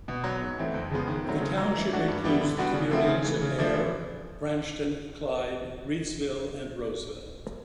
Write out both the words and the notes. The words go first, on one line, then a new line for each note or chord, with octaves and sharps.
The township includes the communities of Ayr, Branchton, Clyde, Reidsville and Roseville.
B2
F#3 B3
G#2
E3 A3 C4
F2
C#3 F3 G#3 B3
D#3
F#3 A3 C4
C#3
F#3 A#3
E3
A3 D4 F#4
G2
E3 G3 B3 D4
D3
G3 B3 D4 F#4
C#3
F3 A3 C4 E4
C#3
E3 A3
C#3
F3 A3 D4
E3